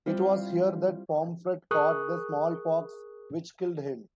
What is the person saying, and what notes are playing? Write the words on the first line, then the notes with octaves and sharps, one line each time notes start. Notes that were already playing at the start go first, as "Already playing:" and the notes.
It was here that Pomfret caught the smallpox which killed him.
G3 C4 E4 F4
G#4 A#4 C#6 D#6 F#6